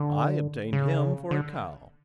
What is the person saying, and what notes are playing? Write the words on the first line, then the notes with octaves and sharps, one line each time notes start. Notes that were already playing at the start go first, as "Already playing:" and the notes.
"I obtained him for a cow."
Already playing: D3
C#3
D3